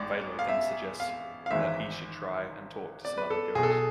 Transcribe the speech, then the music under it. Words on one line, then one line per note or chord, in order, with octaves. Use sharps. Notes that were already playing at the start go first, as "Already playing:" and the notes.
Valo then suggests that he should try and talk to some other girls.
Already playing: A1 G#2 D5
F5
E5
F5
F5
G#1 G#2 E3 E5
D5
B4
A4
B1 B2 G#4
A4
G#4